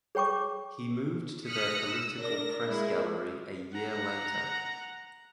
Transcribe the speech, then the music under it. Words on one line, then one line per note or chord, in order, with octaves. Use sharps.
He moved to their political press gallery a year later.
G#4 C#5 G5 C#6 D6
D#6 F6 F#6 A#6 B6 C#7
E6
D4 A#4 A#6
G#3 A#3 E4
F#5 A#5